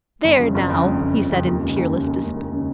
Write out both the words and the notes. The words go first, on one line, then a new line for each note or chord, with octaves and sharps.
"There now!" he said in tearless despair.
G1
F2 C#3
G1
F2 C#3
G1
F2 C#3
G1
F2 C#3
D#2
C#3 G#3
D#2
C#3 G#3
D#2
C#3 G#3
D#2
C#3 G#3